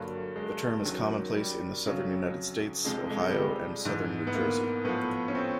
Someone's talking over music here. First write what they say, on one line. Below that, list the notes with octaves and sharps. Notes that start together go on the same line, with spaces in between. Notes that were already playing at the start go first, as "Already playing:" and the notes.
The term is commonplace in the Southern United States, Ohio, and Southern New Jersey.
Already playing: G2 D3 F#3 A#3
G#3
F#2 D#3 F#3
G3
F2 C#3 F#3
F2 C3 F3 G#3
G#3
G#3
G#3
G3
G#3
G#2 E3
B3
A#3
A2 F3 B3
C#4
C4